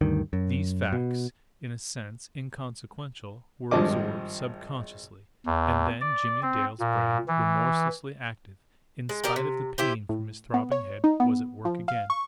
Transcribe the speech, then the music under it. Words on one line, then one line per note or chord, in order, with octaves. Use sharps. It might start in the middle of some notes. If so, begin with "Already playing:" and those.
These facts, in a sense inconsequential, were absorbed subconsciously; and then Jimmie Dale's brain, remorselessly active, in spite of the pain from his throbbing head, was at work again.
D2 G2 D#3
F#2
B2
G#1 G2 F3 G#3 D#5 D6
E2
D5
C4
A#2
E3
G#3
G4 A#4 D5 D#5
C3
E4 G4 C5
A2
B3
C#5
D#4
B3
F3
F5
C#6